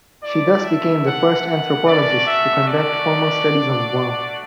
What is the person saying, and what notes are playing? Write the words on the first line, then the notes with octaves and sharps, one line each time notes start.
She thus became the first anthropologist to conduct formal studies on Guam.
A3 E4 D5
E5
F#5
F#5
A3 C#4 F#4 D5
E5
D5
A3 D4 F#4